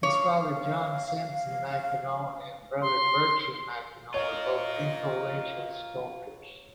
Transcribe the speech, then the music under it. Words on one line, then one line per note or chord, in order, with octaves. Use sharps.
His father John Simpson Mackennal and brother Bertram Mackennal were both influential sculptors.
C#5 F5
C6
F4 A#4 C#5 D#5